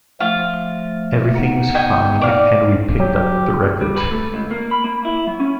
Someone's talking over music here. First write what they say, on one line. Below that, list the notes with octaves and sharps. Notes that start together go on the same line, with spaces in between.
Everything was fine and we picked up the record.
F3 A3 F4
B3 D#4 F#5
D#5 G5 G#5
D5 F5
F#3 G4
G3
B4
A3
C#2
A#3
B5
A#3
E4
F#3
C#4